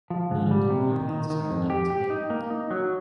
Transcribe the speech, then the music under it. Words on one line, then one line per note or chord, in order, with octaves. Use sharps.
None of the watermills are left today.
F3
G#2
G3
C3
D#3
D#3
D#3
F2
G4
G4
D#4
A#3
D#4
F#3